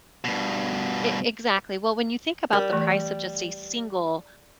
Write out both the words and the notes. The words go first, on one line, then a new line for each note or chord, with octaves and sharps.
E exactly, well, when you think about the price of just a single
G2 B2
G3 A#4
E3 A3